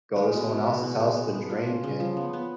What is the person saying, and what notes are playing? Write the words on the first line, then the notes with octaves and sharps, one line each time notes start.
go to someone else's house to drink, and,
G#3
B2
G#3
G#3
B3
G#3
B3
D4
F4
C#4
C#3
F3
B3
B3